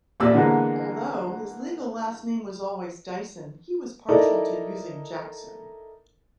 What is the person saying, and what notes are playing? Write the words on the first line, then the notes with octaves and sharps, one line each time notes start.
Although, his legal last name was always Dyson, he was partial to using Jackson.
A1 A#2 D5 E6
D3 E3 G#3 A#3 B3
D#4 E4 A4 A#4 D5